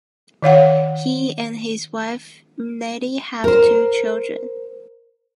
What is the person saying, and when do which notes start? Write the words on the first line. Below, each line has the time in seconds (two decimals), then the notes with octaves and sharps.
He and his wife Nettie have two children.
0.43 D#3 C#5 F5 F#5
3.44 A#4 C5